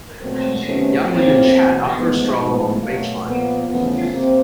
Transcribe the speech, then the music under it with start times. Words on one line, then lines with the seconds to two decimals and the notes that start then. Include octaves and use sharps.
Young women chat after a stroll along the beach line.
0.21 B2 F#3 A3 A#3 C4
0.64 C3 D#3 F#3 A3 B3 C#4
1.08 A2 F#3 A3 A#3 C4
1.51 E2 B2 F#3 A#3
1.95 G#2 F3 A3 B3
2.39 G#2 F3 A3 B3
2.82 B2 F#3 A3 A#3
3.25 A#2 F3 A#3 B3
3.69 E2 C#3 F3 A3 B3
4.12 C3 A#3 C4